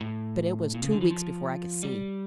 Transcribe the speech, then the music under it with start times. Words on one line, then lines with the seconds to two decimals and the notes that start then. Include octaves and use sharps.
But it was two weeks before I could see.
0.01 A2
0.74 A#2
0.83 C#3
0.91 D3
1.01 E3
1.10 F3
1.83 G3